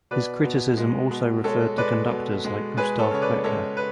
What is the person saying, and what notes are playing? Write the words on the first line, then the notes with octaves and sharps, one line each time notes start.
His criticism also referred to conductors like Gustav Brecher.
B2 B4 D5
B2
G#3
B2
G#3 A4 C#5
G#3 B4 D5
B2
G#3
G#3 G#4 B4
A4 C#5
C#3 C#5
B4 D5
G#3 A4 C#5
B4